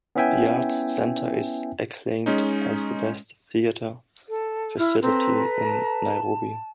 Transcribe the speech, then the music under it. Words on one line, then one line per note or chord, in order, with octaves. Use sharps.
The Arts Center is acclaimed as the best theatre facility in Nairobi.
B3 C#4 E4 E5 G5 G#5
G#3 C#4 D#4
A4
E4 F6
C4 A4 B4 A#5
A5